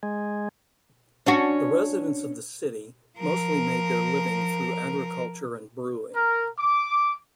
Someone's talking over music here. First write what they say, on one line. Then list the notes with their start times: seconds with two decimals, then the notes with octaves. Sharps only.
The residents of the city, mostly made their living through agriculture and brewing.
0.03 G#3
1.26 C#4 D4 F#4
3.17 F3 A#4
6.14 A#4
6.59 D6